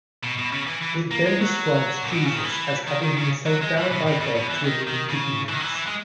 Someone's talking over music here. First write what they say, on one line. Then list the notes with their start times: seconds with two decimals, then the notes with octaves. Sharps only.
It then describes Jesus as having been sent down by God to remove ignorance.
0.23 B2
0.38 B2
0.52 C#3
0.67 E3
0.82 E3
1.11 A#3
1.26 G#3
1.41 F#3
2.03 A#2
2.13 B2
2.24 C#3
2.34 D#3
2.44 E3
2.88 D#3
3.03 D#3
3.17 C#3
3.46 F#3
3.62 G#3
3.77 E3
3.91 B2
4.07 B2
4.21 C#3
4.35 B2
4.50 E3
4.65 D#3
4.88 D#3
5.09 C#3
5.49 E3
5.53 D#3
5.60 F#3
5.64 E3
5.75 E3
5.87 G#3